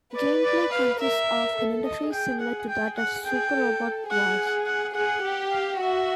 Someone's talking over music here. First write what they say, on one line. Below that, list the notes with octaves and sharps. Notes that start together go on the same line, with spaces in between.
Gameplay consists of an interface similar to that of "Super Robot Wars".
B4 D5
D5
F5
A#4 E5
A4
D#5
G#4 G5
F#5
G5
F#5
G#4 G5
A4
G#4 F#5
F#5
G#4 F#5
G4
F5
F#4 E5